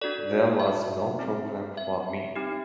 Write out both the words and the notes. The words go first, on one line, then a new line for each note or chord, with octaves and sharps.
There was no problem for me.
D4 F#4 A4 D5
E5
C4 D#4 G#4
E5
C4 D#4 G4